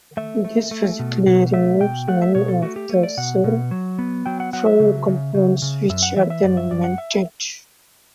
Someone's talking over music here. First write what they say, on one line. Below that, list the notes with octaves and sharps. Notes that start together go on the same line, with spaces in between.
This physically removes many of the sulfur compounds, which are then vented.
A3 E5
A3
A3
B2
B2
A3 E5
B2 G5
A3 F#5
E5
B2 C#5
A4
A3 F#4
G4
A3
D5
B2 F#5
B2
F#3
B3
F#3 G5
F#5
F#3 F#5
E5
C#3
C#3
C#3
C#3
F#2 E5
F#5
E3 E5
E5
F#2 D5
E5
F#2 D5
F#5
E5